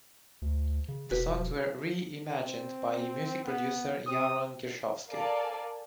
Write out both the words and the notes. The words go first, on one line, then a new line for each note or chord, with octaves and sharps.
The songs were reimagined by music producer Yaron Gershovsky.
D2
C#3
E1 F#4 B4
C4
B3
C4 D#6
A4 A#4 D5 F5 G#5 A5